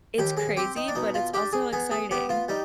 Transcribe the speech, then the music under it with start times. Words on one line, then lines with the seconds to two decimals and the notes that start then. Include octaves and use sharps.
it's crazy, but it's also exciting.
0.18 D#2 G4
0.37 G#4
0.57 C4 G4
0.76 D#4
0.88 D4
0.95 B2 D#4
1.14 F4
1.34 D4 G4
1.53 G#4
1.73 B3 G#4
1.91 G#4
2.11 B3 G4
2.29 F4
2.48 G3 D#4